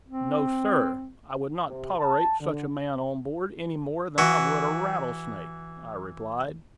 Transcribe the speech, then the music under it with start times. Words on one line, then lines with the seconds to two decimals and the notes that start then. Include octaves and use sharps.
"No, sir; I would not tolerate such a man on board any more than I would a rattlesnake," I replied.
0.08 C4
1.68 C3
1.98 A5
2.40 D3
4.18 E3 F#4